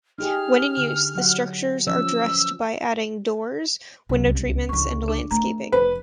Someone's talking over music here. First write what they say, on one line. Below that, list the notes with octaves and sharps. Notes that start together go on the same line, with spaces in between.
When in use, the structures are dressed by adding doors, window treatments and landscaping.
D#4 G4 G#4 F6
D3
F#3 F#5
E3 F3 C#4 E6
C#2 C3 F#3
C2
E2 D3 C#6
D4
E3 A3 A#5
F1 B4